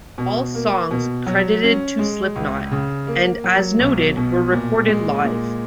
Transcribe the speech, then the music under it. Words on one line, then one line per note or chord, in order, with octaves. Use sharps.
All songs credited to Slipknot and, as noted, were recorded live.
B2
A#3
B2
F#3
C#4
G#3
C#2
C#3
A#3
F#3
B1
B2
A#2
G#3
A#2